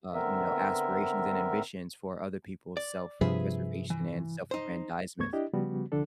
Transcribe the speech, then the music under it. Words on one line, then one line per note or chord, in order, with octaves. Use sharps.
uh, you know, aspirations and ambitions for other people's self-preservation and self-aggrandizement. So
D3 B3 C4 A#4 E5
D5
G2 C3 F3 G#4 B4 E5
E3
D#4 C5
C#2 G2 A3 B3 C#6 G#6
D4 E4 G4 D#5
C#3 F3 G3 B3 F#4
C2 D3 F3 D4 A4